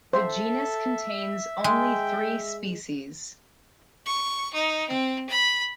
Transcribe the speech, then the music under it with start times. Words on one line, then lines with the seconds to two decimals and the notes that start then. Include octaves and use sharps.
This genus contains only three species.
0.13 A4 C5 E5
1.64 G#3 G5
4.06 C#6
4.53 D#4
4.88 C4
5.29 B5